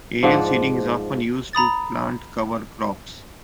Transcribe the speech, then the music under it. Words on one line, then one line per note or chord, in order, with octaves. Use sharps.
Aerial seeding is also often used to plant cover crops.
G#2 F3 D5 F#5
A#5 B5 D#6 A6